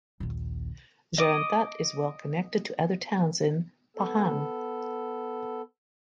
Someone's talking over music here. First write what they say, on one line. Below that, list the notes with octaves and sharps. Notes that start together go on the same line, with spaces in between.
Jerantut is well connected to other towns in Pahang.
A#1 D#2
D#5 D6 D#6
B3 A4